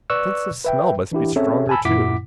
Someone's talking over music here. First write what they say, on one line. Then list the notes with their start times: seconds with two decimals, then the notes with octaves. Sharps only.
Sense of smell must be stronger too.
0.10 B4 D5 C#6 E6 F#6
0.64 B4 E5 G5
1.12 E3 D4 E4 G4
1.36 C4 C#4 G#4 A4 C#5 E5
1.69 G#5 A5 B5 E6
1.85 F#2 A#2 E4 F#5 D6 B6